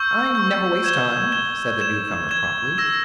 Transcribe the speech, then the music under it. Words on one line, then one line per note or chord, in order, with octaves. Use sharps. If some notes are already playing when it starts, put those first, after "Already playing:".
"I never waste time," said the newcomer, promptly.
Already playing: C#6 E6 G6
C#6 E6 G6
G#6 E7 G7
G#6 E7 G7
G#6 E7 G7
G#6 E7 G7
E6 A#6 E7